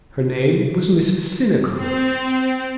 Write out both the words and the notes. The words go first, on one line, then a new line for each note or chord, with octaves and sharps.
Her name was Mrs. Sinico.
C4